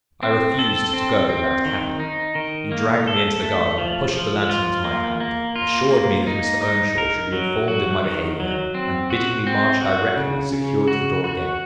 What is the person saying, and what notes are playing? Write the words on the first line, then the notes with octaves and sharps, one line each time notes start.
I refused to go without Cathy; he dragged me into the garden, pushed the lantern into my hand, assured me that Mr. Earnshaw should be informed of my behaviour, and, bidding me march directly, secured the door again.
C4
A4
C4
C4
D#3
D#4
D#3
A#3
A4
A3
F3
F3
F4
A#3
A#3
F4
A#3
D#4
D#4
A#4
F#3
F#4
D#3
F#3
C4
F#4
C4
F#4
C#3
C#3
F#4
F#4